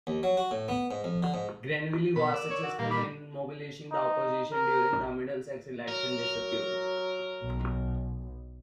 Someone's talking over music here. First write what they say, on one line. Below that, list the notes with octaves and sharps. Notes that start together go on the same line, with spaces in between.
Grenville was successful in mobilising the opposition during the Middlesex election dispute.
D#2
F#3
F#4
A2
B3
G#2
F2
D3
G#2
B2 A#4 B5
D5 E6
C#5
F#4
A#2 G3 A#3
B5 D6
D#4
A#4
F#3 A#4
B1